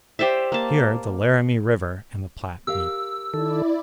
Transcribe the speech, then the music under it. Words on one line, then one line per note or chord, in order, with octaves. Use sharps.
Here the Laramie River and the Platte meet.
G4 C5 D5 E5
A#3 A5
G4 A#4 F5 E6
D#3 E4 A4 D5